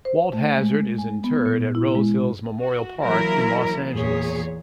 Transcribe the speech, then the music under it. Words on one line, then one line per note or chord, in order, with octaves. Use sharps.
Walt Hazzard is interred at Rose Hills Memorial Park in Los Angeles.
C5
A3
G#3
G#5
B3
A#2
E4
G#3
F#4
E3 F#3 A#3 E4 A#4
E2 A#2 G#4 C#5